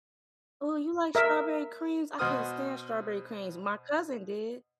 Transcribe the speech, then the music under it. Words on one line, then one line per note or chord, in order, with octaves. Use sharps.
Oh, you like strawberry creams? I couldn't stand strawberry creams. My cousin did.
A#4 E5
B2 F#4 C5 D#6 F6